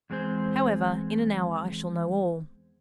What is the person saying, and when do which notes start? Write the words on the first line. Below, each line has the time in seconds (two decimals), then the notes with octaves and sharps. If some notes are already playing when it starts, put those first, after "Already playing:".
However, in an hour I shall know all.
0.10 E2 G#3 C4 G#4 C5